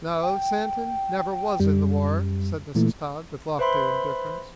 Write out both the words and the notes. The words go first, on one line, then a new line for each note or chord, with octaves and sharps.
"No, Santin never was in the war," said Mrs. Todd with lofty indifference.
G5
F#2 G3
A#2 E3 A3
B4 C5 E5 B5 C6